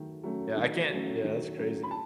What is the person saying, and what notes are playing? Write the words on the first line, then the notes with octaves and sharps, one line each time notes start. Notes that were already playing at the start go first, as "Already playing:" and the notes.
Yeah I can't yeah, that's crazy.
Already playing: D#3 F#3 A3
F#3 A3 C#4
D#3
F#3 A3 C#4
D#3
F#3 A3 C#4
B5
A5